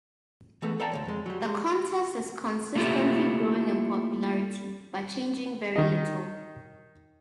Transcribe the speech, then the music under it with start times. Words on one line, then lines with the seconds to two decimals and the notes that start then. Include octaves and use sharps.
The contest is consistently growing in popularity, but changing very little.
0.62 E3 G#3 A3 B3 A4
0.80 A4 A#4 D5 F5 G5 A5
0.92 D2 F#3 C#5
1.05 F2 G#3
1.26 F#3 G3
1.41 G3 G#3
2.75 A3 A#3 E4 F4 G4 A4
5.76 D#3 D#5